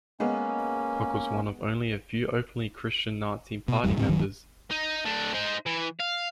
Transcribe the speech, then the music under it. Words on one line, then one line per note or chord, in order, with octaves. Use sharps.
Koch was one of only a few openly Christian Nazi party members.
G#3 A#3 B3 C#4
B2
G1 E2 G3
D2 A2 G3 C4
D1 D#3 F#3
D#4
A2 D4
D#4 C5
E3
F5